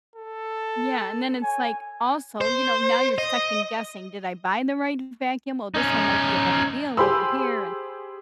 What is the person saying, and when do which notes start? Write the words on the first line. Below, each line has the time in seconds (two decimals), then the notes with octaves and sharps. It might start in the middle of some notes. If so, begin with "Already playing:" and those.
Yeah, and then it's like, also, you know, now you're second-guessing, "Did I buy the right vacuum, well, this one might be a better deal over here, and"
0.16 A4
1.43 C#5 G#5
2.41 C5
3.18 D#5
5.75 C#4 D#4
6.97 G4 G#4 C5 B5 C6 E6